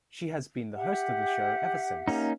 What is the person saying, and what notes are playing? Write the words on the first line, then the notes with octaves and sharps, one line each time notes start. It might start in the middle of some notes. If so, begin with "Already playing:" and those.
She has been the host of the show ever since.
G4 E5 F#5
A#3 C#4 D#4